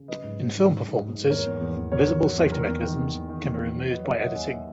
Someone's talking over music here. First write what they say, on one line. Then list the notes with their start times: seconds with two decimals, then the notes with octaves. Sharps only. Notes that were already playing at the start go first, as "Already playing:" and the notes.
In filmed performances, visible safety mechanisms can be removed by editing.
Already playing: C#3
0.08 F#3 B4 D#5
0.23 G#2
0.39 F#3
0.55 D#3
0.70 G#2
0.85 G#2
1.00 G#2
1.15 G#2
1.30 E2 A#4 C#5
1.46 E2
1.61 E2
1.77 E2
1.91 E2 A#4 C#5
2.06 F#3
2.21 F#3
2.38 E2
2.52 D#3 A#4
2.68 E2
2.82 D#3
2.99 E2
3.14 E2
3.29 D#3
3.44 E2
3.60 E2
3.75 F#3
3.89 F#3 B4 D#5
4.04 F#3 C#5 E5
4.19 D#3 D#5 F#5
4.35 D#2 E5 G#5